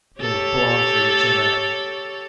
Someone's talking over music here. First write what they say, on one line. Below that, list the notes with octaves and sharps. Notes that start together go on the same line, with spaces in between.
They were born for each other.
G4 A4 C#5